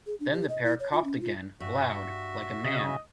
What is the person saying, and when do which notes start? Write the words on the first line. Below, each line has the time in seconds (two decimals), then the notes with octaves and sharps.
Then the parrot coughed again — loud, like a man.
0.06 G#4
0.20 D4
0.32 G4
0.49 D#5
0.64 E4
0.79 C#5
0.92 F4
1.04 C#4
1.21 F4
1.60 G2 F#4 E5
2.65 C#3 D#5